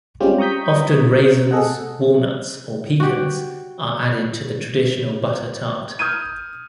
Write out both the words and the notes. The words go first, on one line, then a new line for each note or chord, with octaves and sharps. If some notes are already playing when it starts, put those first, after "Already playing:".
Often raisins, walnuts or pecans are added to the traditional butter tart.
G3 G#3 C4 C#4 F4 G4
A#5 C#6 D#6 G6 B6
G#4 A4 D#5 F#5
F#4 G4
D#6 F6 G6 G#6 D#7